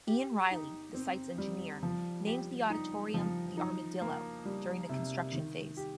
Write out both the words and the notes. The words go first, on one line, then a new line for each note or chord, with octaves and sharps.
Ian Reilly, the site's engineer, named the Auditorium the Armadillo during the construction phase.
G4
D#4
C4
G3
F3
G4
D#4
F3
D#4
A#3
G3
C3
D#3
G4